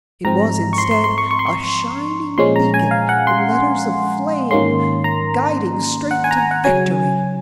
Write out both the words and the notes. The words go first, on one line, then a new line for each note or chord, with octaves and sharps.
It was, instead, a shining beacon in letters of flame guiding straight to victory.
G#2 F3 C4 A#5
C#6
C6
C6
C6
C#6
C#6
C6
C#6
A#2 F3 G#3 C#4 C6
A#5
G#5
F5
F#5
C6
G#2 D#3 A#3 C#4 C6
A#5
F#5
G#5
A#5
G#5
F#5
C#3 F#3 C#4 G#5